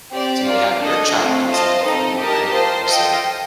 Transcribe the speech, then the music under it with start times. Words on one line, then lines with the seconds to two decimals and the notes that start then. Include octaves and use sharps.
to y have your child do the same thing for you, right? Your son
0.12 C4 G4 D5
0.47 F4 A#4 D5
0.80 D4 A4 D#5
1.15 A3 C4 F4
1.50 F4 C5 D#5 A5
1.83 C4 D#4 A4 D#5
2.17 G4 A#4 D#5 A5
2.51 F4 C5 D#5 A5
2.87 F4 A4 D#5 G5